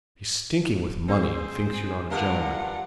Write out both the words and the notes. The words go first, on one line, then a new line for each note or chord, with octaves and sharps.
He's stinking with money and thinks you're not a gentleman.
C4 G#4 C5
G2 G3 F4 A#4 F#5